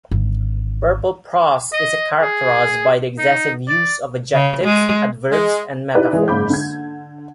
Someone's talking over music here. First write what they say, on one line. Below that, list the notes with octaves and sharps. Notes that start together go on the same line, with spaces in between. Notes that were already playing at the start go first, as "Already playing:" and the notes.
Purple prose is characterized by the excessive use of adjectives, adverbs, and metaphors.
G#1 D3
D#5
G#4
D#4
D5
C#3
G#3
G#3
D#4 E4 G4 B4 D5
E3 G#3 G#4
F#1 G#2 F5 B5 D6 G6
D3 G#6